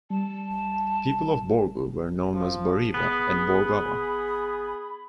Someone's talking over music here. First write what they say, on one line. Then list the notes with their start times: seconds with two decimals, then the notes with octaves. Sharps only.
People of Borgu were known as Bariba and Borgawa.
0.10 G3 A5
2.34 F3
2.94 B3 G#4 B5